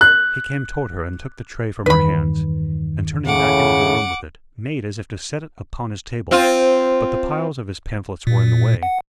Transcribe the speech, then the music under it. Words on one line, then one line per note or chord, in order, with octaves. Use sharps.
He came toward her and took the tray from her hands, and, turning back into the room with it, made as if to set it upon his table. But the piles of his pamphlets were in the way.
F#6
E2 G2 D#3 B4 B5
A2 C#3 F#5 D6
C4 F4
A#2
F#5